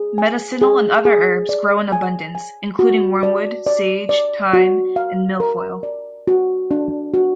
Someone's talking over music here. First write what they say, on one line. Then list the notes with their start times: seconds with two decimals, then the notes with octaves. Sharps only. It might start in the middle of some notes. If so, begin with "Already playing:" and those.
Medicinal and other herbs grow in abundance, including wormwood, sage, thyme, and milfoil.
Already playing: G#4
0.18 G#5
0.61 G#4
1.05 G#4
1.49 D5
1.92 G#5
2.35 G#5
2.79 F#4
3.23 D5
3.67 D5
4.09 D5
4.53 F#4
4.96 F5
5.40 A#4
5.83 D5
6.28 F#4
6.71 D4
7.14 F#4